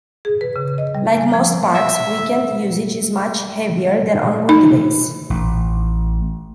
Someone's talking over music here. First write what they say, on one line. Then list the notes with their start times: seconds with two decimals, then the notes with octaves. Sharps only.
Like most parks, weekend usage is much heavier than on weekdays.
0.25 G#4
0.41 B4
0.56 C#3
0.78 D#5
0.95 G3
1.17 G#5
1.34 F3
1.74 E5
4.49 D#4
5.30 A1